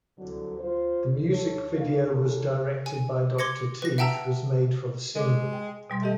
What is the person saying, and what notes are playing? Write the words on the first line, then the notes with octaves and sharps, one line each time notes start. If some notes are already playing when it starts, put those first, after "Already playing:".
The music video was directed by Doctor Teeth was made for the single.
C2 D3 F#3
F4 C5
A4 C#5
G2 B2 D3 E3 F5
E3 A3 C#4 D4 A4 A#4
G#5
C6 D6 G#6 A#6 C#7
B4 A#6
E5 F#5 G5 A5 A#5 E6
G#3 D#5 D6
G5
B2 G3 C6
D#3 A3 G4 D#5